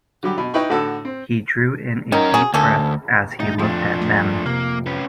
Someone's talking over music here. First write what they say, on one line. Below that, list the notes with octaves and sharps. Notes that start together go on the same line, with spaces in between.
He drew in a deep breath as he looked at them.
D3 F#3 G3 G4
B2
D#4 E4 B4 G5 B5 C#6
A2 D3 F#4 A4 E6
C4
D#3 C#4 A#4
F#4 G#4
D2 A#3 C#4 A4
D2 D#4 A6
F2 F3 D4
A3
C3 A#3
C#4 B4